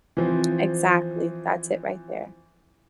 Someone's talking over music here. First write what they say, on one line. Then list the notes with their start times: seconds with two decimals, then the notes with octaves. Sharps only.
Exactly, that's it right there.
0.17 E3 F3 C4